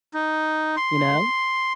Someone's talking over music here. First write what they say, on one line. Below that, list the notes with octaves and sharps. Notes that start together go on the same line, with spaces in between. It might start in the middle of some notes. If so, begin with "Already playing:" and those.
You know?
D#4
C6